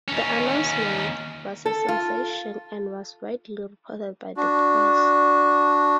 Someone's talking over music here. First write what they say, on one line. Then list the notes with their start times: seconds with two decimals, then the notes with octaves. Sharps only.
The announcement was a sensation and was widely reported by the press.
0.08 D#2 C#4
1.66 A4
1.88 F4
4.37 D4 F#4